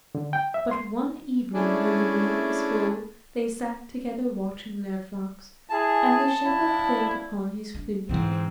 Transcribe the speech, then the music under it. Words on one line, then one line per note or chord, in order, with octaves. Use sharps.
But one evening when the moon was full they sat together watching their flocks, and the shepherd played upon his flute.
D3
G5
E5
C6
A3 C#4 D4 E4 G#4 D5
E4 G#4 A5
F3 D4 E4
D4
G#2 D3 E3 C4